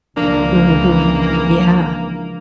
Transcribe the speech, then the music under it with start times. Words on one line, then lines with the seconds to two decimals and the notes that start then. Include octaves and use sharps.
Mhm. Yeah.
0.17 C#2 E3 F3 A#3 D4